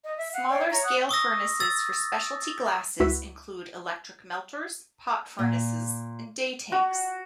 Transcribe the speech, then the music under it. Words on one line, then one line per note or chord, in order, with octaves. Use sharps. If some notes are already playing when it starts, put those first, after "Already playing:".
Smaller scale furnaces for specialty glasses include electric melters, pot furnaces, and day tanks.
D#5
E5
F5 F#5
C#5 D5 F5 G5
C#5 E5 A#5 C#6
F#5 D#6 F#6
C#6 D#6 E6 A#6
E6 A6
C#2 E4 F#4 B4 E6 B6
A#2
F#4